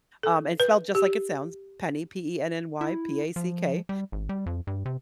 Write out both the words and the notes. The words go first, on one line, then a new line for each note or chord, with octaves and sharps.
Um, and spelled just like it sounds, Penny, P-E-N-N-Y P-A-C-K,
A4
B4
G4
E4
F3
G3
G#1
G3
F2
G2
C3